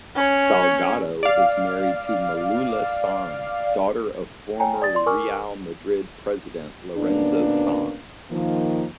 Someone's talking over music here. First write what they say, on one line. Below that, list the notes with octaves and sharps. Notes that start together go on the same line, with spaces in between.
Salgado is married to Malula Sanz, daughter of former Real Madrid president Lorenzo Sanz.
C#4 C#5
D5 F5
C#5 G5 G#5 A#5
D5 D#6 A6
D5 C6
A#4 G#5 C#6 D6 F6
D2 A#2 A#3 B3 C#4 D4
D#3 F3 A#3